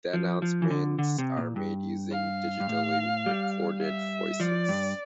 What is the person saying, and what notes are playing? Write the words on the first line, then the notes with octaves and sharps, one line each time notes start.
The announcements are made using digitally recorded voices.
F3
F3
E3
D3
D3
C3
A#2
G2
F5
G2
A2
G3
E5
F3 D5
G2